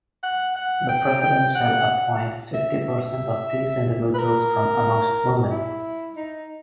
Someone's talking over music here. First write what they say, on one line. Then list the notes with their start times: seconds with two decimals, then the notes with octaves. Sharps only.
The President shall appoint fifty percent of these individuals from amongst women.
0.23 F#5
0.56 F#5
0.89 G5
1.22 G5
1.55 F#5
2.54 E5
4.14 B4
4.18 A#4
5.50 E4
6.16 D#4